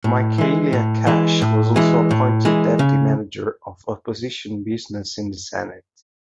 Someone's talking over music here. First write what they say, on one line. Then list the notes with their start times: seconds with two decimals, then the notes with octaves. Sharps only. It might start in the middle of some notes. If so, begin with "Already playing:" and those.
Michaelia Cash was also appointed Deputy Manager of Opposition Business in the Senate.
0.04 A2
0.38 E3 G#3
0.73 A2
1.07 E3 G#3
1.42 A2
1.76 E3 G#3
2.11 A2
2.45 E3 G#3
2.79 C#3